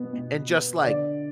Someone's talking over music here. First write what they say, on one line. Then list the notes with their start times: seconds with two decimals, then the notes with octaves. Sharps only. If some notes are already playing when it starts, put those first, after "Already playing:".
and just, like,
Already playing: B2 B3
0.13 B2
0.49 B3
0.83 D3 D5